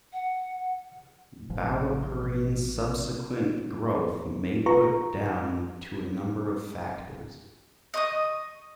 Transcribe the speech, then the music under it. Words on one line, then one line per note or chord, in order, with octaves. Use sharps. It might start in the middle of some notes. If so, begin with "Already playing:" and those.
Ballyporeen's subsequent growth may put down to a number of factors.
F#5
A1 F3
F4 B4 A#5 C#6
D#5 C#6 D#6